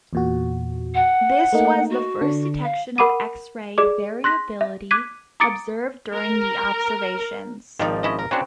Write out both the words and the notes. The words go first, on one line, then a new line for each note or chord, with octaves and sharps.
This was the first detection of X-ray variability observed during the observations.
E2 A#2 F#4
F#5
A3 A#3 D#4
F#4
D3 D4
F5
A#4 F#5 B5 D6 D#6 D#7
G#4 D5 D6
C6 F#6 A#6 B6
E5
D6 F#6 G#6 B6 D#7
A#5 D6 D#6 A6 C#7 D7
A#4
G#1 D#3 F3 D#4 D5
C#4 E4 D#5
A#4
C#3 C4 D4 F#4 C#5